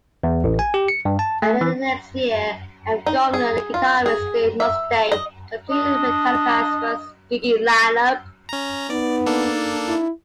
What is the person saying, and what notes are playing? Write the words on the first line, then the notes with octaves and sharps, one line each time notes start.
Early the next year, McGovney and guitarist Dave Mustaine completed Metallica's first gigging lineup.
E2
A1
G#5
G4
C#7
G2
A5
A3
E3
D#4
G#4
F4
G#4
E5
D#5
D4 D#5
C#4 A#5
B3 D#4 D5
A#3 D4 A4
E4